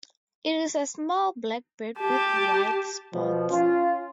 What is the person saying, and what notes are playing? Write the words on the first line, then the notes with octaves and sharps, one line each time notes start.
It is a small black bird with white spots.
G4 A5
B2 F3
C#4 F4